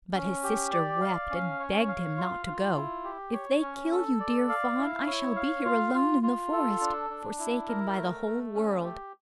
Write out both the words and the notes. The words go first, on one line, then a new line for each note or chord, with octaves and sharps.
But his sister wept, and begged him not to go: "If they kill you, dear fawn, I shall be here alone in the forest, forsaken by the whole world."
C#4
G4
D5
F5
C#4
C#5
F5
F4
F4
E4
G4
C#5
C#4
A4
D5
F5
E4
C#5
F5
F4
F4
F4
A4
D4
D4
E4
A#4
A3
A3
C#4
G4